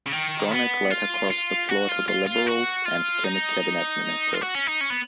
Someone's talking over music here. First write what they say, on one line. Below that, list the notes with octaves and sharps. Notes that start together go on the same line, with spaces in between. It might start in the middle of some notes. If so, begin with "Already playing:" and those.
Stronach later crossed the floor to the Liberals and became a cabinet minister.
C#3
D#3
B3
F4
F4
F#4
F4
F4
F4
F#4
F4
D#4
F4
F#4
C#4
D#4
C#4
B3